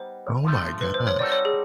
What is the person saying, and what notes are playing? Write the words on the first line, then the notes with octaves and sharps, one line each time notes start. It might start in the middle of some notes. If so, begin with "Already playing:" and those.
Oh my gosh.
Already playing: G3 B3 D#4 C5
G2 D3 F3 A3
B4
C5
C#5
G3 C4 D#4 F#4 A4 D5
C#5
G#4